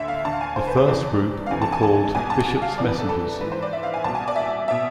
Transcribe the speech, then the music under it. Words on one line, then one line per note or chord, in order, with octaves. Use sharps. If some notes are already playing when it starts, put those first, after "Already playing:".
The first group were called "Bishop's Messengers".
Already playing: D2 D3 E5
F5
D2 D3 A5
F5
G#5
C5
B4
C5
F2 C3 E3 D5
F5
D2 C3 E3 G#5
A5
G#5
A5
C2 B2 G#5
A5
F5
F2 C3 E3 D5
B4
A4
A4
G#2 E3 B4
C5
D5
E5
F5
G#5
C2 B2 A5
G#5
D5
E5
B2 E5